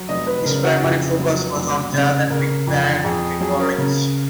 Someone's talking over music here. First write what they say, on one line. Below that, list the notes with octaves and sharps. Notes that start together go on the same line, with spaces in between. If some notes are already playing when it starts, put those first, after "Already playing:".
His primary focus was on jazz and big band recordings.
Already playing: F#3
F1 D#5
B4
C#3 A#4
F#4
F2 G#4
F#3
F1
C#3
C#3 A#4
F2
F2 G#4
G#4
F#3 G#4
A#4
C#3